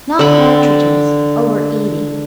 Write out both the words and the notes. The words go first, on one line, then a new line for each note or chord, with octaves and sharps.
Not cartridges; over-eating.
D3 B5